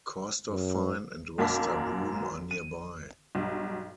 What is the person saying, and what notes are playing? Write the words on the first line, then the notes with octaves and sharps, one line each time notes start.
Corstorphine and Wester Broom are nearby.
F#2
B1 F#2 A#3 A5 B6
D#7
B1 G2